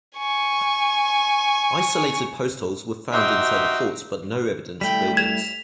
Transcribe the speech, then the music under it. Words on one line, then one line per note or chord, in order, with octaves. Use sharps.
Isolated postholes were found inside the fort but no evidence of buildings.
G#5 C#6
D#4 F#4 G4 C5 D#5 E5
G3 A3 E4 G5 B5 B6
G#6 E7 F7